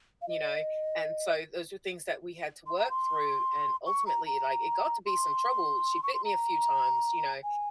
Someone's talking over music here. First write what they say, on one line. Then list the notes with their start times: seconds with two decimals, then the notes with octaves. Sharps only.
you know? And so those are things that we had to work through, and, ultimately, like, it got to be some trouble, she bit me a few times, you know,
0.22 F5
0.28 D#5
2.67 C6
2.79 A#5
2.90 C6
3.86 C#6
4.07 A#5
4.26 A#5
5.06 C6
6.03 C#6
6.14 C6
6.25 A#5
7.44 G#5